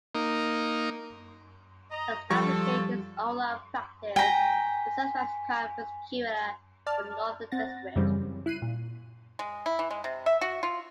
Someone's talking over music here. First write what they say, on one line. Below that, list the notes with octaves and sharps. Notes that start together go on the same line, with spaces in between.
Establishing his own law practice, he served as Crown Prosecutor for the northern district.
A#3 D#4
D#5 A#5
F3 G3 A4 C#6
G5 G#5 A#5 B6
D5 A5 F6
C4 F#5 A6 A#6
F#2 C#3 E3 G3 C4 C#4
E4 F#6 C7 D#7
A#2
G#3
E4
E3
G#3
C3
E5
F#4
F4